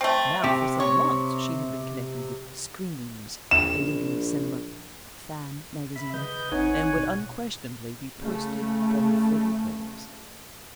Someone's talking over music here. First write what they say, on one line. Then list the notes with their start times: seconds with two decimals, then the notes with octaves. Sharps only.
Now, for some months, she had been connected with Screenings, a leading cinema "fan" magazine, and would unquestionably be posted upon the photoplayers.
0.01 A3 C4
0.44 C3 G4
0.80 C#5
3.51 A#1 E7
5.96 E5 B5
6.14 C#3 B4 D#5 G6
6.52 A1 C4 D#4 C#5 F#5 G#5
6.96 B2
8.20 C#3 A3